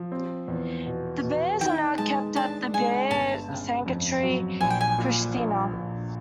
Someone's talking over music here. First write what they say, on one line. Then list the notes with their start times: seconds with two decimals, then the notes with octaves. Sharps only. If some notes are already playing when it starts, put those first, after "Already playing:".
The bears are now kept at the Bear Sanctuary Prishtina.
Already playing: F3
0.12 C4
0.48 E2
0.86 B2
1.23 B2
1.61 D#3 G5
1.98 G#3 A5
2.36 D4 A5
2.73 G#3 G#5
3.11 G1 A5
3.48 C#3
3.86 F2
4.23 F#3
4.61 A#1 G#5
4.70 G5
4.81 G#5
4.98 A#2
5.36 A#1
5.73 A#1